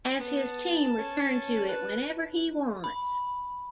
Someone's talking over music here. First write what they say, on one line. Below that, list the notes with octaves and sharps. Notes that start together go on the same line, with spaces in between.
As his team return to it whenever he wants.
B3 A5
C#4
B4
B5